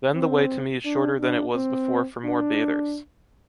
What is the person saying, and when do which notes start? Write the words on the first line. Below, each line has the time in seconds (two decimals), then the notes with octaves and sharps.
Then the way to me is shorter than it was before for more bathers.
0.15 C4
0.85 D4
1.20 D4
1.56 C4
2.25 D4